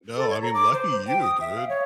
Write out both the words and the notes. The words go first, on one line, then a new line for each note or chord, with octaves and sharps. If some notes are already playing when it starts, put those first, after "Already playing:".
No, I mean, lucky you, dude.
A4
C#5
A#5
D6
C5
C5
G5
D#6
E5
F5
C#5